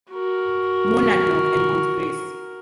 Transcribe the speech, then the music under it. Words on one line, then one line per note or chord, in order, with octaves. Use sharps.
Monadnock and Mount Grace.
F#4 A#4